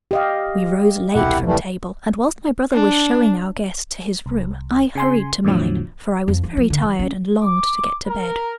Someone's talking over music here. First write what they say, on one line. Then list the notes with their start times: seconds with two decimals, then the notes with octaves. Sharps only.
We rose late from table, and whilst my brother was showing our guest to his room I hurried to mine, for I was very tired and longed to get to bed.
0.11 G4 D#5 F5
1.14 E1 C2 E4 G4 F#5
1.45 E3 G3 A3
2.73 D4
4.26 C2
4.95 C#3 G#5 C6
5.45 E2 A2 D3 F3 F#3
6.28 F2
6.43 F3
6.57 F3
6.70 D3
6.82 E3
6.99 C#4
7.41 D6
8.07 A#4